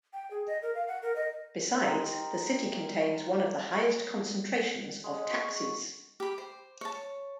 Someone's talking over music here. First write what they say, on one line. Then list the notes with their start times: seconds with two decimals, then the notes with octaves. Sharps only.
Besides, the city contains one of the highest concentrations of taxis.
0.13 G5
0.31 G#4
0.47 D#5
0.62 A#4
0.75 F5
0.88 F#5
1.02 A#4
1.16 D#5
1.85 D#4 G4 A#4 C5
5.04 G#3
5.30 F#4
5.48 C#6
6.20 G4 B5
6.38 C5
6.81 C#5 A5